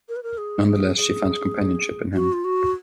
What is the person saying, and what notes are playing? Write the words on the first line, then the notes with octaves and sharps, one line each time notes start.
Nonetheless, she finds companionship in him.
A#4
B4
A#4
G#4
G#4
G#4
F#4
F4
F#4